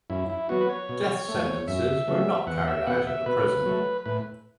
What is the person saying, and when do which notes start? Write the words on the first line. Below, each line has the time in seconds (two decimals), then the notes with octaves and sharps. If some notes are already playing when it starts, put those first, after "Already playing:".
Death sentences were not carried out at the prison.
0.10 F#2 E4
0.30 E4
0.49 F#3 B3 F#4
0.61 B4
0.69 C#5
0.89 B2
1.29 A3
1.68 F#2 E5
2.07 C#3 F#3 A3
2.47 E2 F#5
2.68 E5
2.86 B2 B3 F#5
3.07 E5
3.26 B2 B4
3.66 F#3 A3
4.06 A2 B4